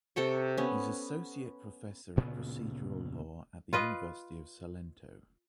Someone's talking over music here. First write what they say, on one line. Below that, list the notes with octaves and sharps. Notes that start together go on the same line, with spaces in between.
He’s associate professor of procedural law at the University of Salento.
C3 A4 G5 C#6
B3 C#4
D2 A#2 C#3 B3
F4 B4 D#5